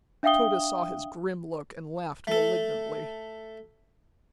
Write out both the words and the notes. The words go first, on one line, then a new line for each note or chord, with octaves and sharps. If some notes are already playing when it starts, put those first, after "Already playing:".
Tode saw his grim look and laughed malignantly.
D4 E5 F5 G5 D#6 G7
A3 A4